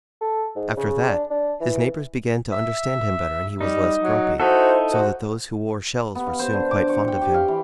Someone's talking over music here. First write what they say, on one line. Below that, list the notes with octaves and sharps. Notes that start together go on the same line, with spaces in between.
After that his neighbors began to understand him better and he was less grumpy, so that those who wore shells were soon quite fond of him.
A4
G#2
C#3
D4
D4
E3
E5
G3 D#4
F#3
D#4 E4 F#4 A4 C5
F#4 C5
B3
F5
C5
D3
D6
C#6
G5
G4
F5
E3